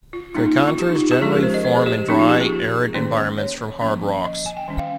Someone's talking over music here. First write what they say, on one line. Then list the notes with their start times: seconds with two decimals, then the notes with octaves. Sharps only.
Dreikanters generally form in dry, arid environments from hard rocks.
0.13 F4
0.35 G3 A#3 C#4 D#4
0.46 D#4
0.56 F4
0.67 F4
0.79 G4
0.89 D#4
1.00 F4
1.11 G4
1.21 F3 G#3 C#4 G#4
1.33 A#4
1.43 C5
1.54 D#5
1.65 C5
1.76 G#4
1.86 G4
2.08 F3 A#3 C#4 D#4
2.19 F4
2.29 G4
2.40 G#4
2.94 D#3 A#3 C#4
3.38 C#5
3.81 F3 A#3 C#4
4.25 D#5
4.46 G#5
4.57 G5
4.68 D#3 G3 C#4
4.79 F5